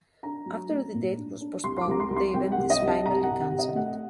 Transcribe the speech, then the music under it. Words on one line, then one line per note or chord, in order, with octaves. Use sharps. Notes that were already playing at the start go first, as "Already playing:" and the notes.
After the date was postponed, the event is finally cancelled.
D4 A#5
F#3
A3
A#2
D4
D4
C2 C6
C6
D6
C2 A#5
C6
C2
C6
C2 G5
F#5
C2
D#5
C2
A5
C3 A#5
F#5
C3
F#5
C3
D#5
A3 F#5